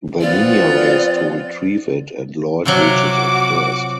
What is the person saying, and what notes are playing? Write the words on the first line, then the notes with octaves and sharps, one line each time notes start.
The ninja race to retrieve it and Lloyd reaches it first.
F3 B3 C4 F4 D5
C3 F3 F#3 F#4 D6